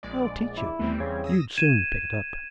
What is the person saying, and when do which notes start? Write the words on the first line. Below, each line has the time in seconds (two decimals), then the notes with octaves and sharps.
I'll teach you--you'd soon pick it up.'
0.03 A#1 G#3 D5
0.57 E4
0.79 D#2 E3 G3 A3 B3 C4
1.00 E2 C#3 G#6
1.24 D#6 E6 A#6
1.58 G#6 D#7 E7